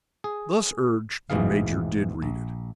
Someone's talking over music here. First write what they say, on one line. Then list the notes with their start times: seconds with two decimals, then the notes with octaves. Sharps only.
Thus urged, the Major did read it.
0.24 G#4
1.30 A1 G#2 B2 E3 G#4 F5
2.22 A#1